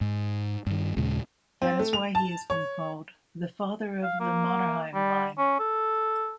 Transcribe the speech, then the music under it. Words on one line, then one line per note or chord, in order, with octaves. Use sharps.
That is why he has been called ""the father of the Mannerheim line"".
G#2
G2 D#3
D#2 A#2 C#3 G#3
C4
A3
F7
A5
C#5
F5
A#3
G3
C#4
A4